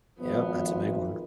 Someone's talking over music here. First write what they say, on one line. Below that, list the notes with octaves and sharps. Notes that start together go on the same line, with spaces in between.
Yep, that's a big one.
G#1 F3 B3